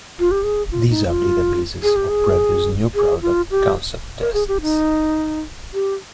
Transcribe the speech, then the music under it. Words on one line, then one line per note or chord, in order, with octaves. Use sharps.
These are databases of previous new-product concept tests.
F4
G4
G#4
F4
D#4
F4
G#4
G4
G#4
G#4
F4
G4
A#4
G#4
G4
D#4
G4